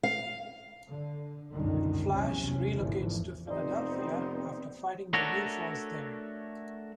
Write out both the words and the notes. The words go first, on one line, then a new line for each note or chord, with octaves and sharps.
Flash relocates to Philadelphia after fighting the U-Foes there.
F5
D3
G#1 C#2 F#2 B2 D3 D#3
A#1 E2 C3 F#3 C#4
G#1 E2 A2 D3 E3 F3
F1 B3 C4 D#4 G4 C5 D5
A3 D4 F#4 A4 A#4 C#5